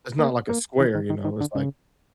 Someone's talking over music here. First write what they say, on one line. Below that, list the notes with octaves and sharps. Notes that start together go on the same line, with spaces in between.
It's not like a square, you know? It's like
A#3
A#3
E3
D#3
D#3
D#3
D3
C#3